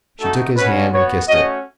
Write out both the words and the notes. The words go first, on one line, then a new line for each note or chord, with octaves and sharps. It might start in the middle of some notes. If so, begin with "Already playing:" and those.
She took his hand and kissed it.
A3 D#4 F#4 A4
G#3 C#4 F#4 B4
B3 F#4 C#5
A3 C#4 F#4 D#5